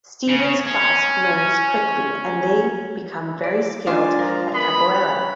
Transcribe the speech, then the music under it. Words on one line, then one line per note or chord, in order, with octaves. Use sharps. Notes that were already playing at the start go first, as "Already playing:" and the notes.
Stevens' class learns quickly, and they become very skilled at Capoeira.
C#3
C#4
D5
G#3 D4 F4
F3 A#4
B3 B5
C#4 F#6